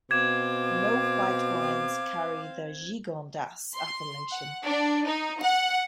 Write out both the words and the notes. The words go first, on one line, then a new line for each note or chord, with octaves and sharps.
No white wines carry the Gigondas appellation.
B2 C4 F5 D6 G#6 E7
C6
F#5
D4
D#4
F#5